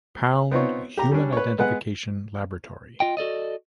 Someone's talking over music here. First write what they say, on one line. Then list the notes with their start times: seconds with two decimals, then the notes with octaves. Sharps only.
Pound Human Identification Laboratory.
0.51 B3 C4 D#4 F4 C#5
0.97 G4 A#5
1.11 G3 C#4 D4
1.32 B4 C#5
1.59 G#3 B3 B4 F#5
3.00 F4 D#5 G5
3.17 F#4 A4 D5 D#5